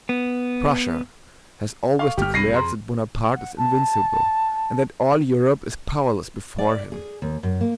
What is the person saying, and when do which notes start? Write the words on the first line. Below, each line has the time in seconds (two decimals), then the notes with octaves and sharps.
Prussia has always declared that Buonaparte is invincible, and that all Europe is powerless before him....
0.09 B3
1.99 A4 F5 C#6 D6
2.17 G1 G4 F6
2.34 C2 D5 B5 A#6 C7 D#7
2.52 F2 G#4 A#5 C6
3.35 F#5
3.57 A5
6.58 D5
6.92 G#4
7.22 D#2
7.43 F#2
7.61 A#3